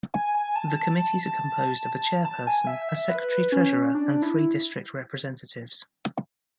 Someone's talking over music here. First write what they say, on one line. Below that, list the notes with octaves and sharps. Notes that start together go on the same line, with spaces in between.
The committees are composed of a chairperson, a secretary-treasurer, and three district representatives.
G#5
G#5
A5
A5
G#5
E5
E5
B4
C#4
D4
E4